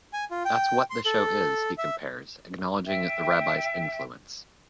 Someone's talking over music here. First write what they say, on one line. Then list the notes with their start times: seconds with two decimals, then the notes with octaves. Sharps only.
That's what the show is, he compares, acknowledging the rabbi's influence.
0.13 G#5
0.31 F4
0.45 G5
0.90 C6
1.05 A4
1.78 E5
2.86 E5 G5